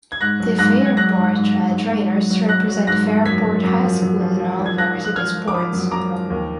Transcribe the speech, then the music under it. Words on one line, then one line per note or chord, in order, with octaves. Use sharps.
The Fairport Red Raiders represent Fairport High School in all varsity sports.
G#6
G#2 F#6 A#6
F#3
G#2 F#6 A#6
G#2
G#6
F#3 F#6 A#6
G#2
G#2
G#2
G#2
G#2
F#3
F#3
F#3 F#6 A#6
F#3
G#2 F#6 A#6
G#2
F#2 G#6 B6
F#2
F#2
F3
F#2
F3
F3
F3
G#6
F3 F#6 A#6
F3
F#6
F3 F6 G#6
F3
D6
F3 B5 D#6
F#2
F#2 A#5 D6
F3
D#2